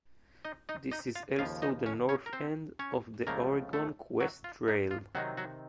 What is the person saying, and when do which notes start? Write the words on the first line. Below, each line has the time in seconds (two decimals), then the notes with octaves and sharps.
This is also the north end of the Oregon Coast Trail.
0.45 D#4 D#5
0.69 D#4 D#5
0.91 D#4 D#5
1.15 F4 F5
1.39 D#2 C#3 F3 F4 F5
1.62 D#4 D#5
1.86 C#4 C#5
2.09 C#4 C#5
2.26 A#4
2.33 C4 C5
2.79 C#4 C#5
3.27 C#2 C#3 F3 A3 A#3 A#4
3.73 A3 A4
4.20 F#3 F#4
4.44 F4
4.68 D#4
4.91 F4
5.15 C3 D#3 F#3 C4 D#4 F#4
5.37 F#3 F#4